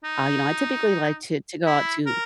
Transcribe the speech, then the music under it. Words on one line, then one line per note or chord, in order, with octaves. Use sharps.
uh, you know, I typically like to to go out to
D#4
E4
A#4